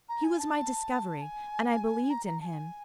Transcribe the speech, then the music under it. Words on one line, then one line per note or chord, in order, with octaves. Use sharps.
He was my discovery and I believed in him.
A#5
G#5
A5
A5
A5
G#5
A#5
A#5
A5
G#5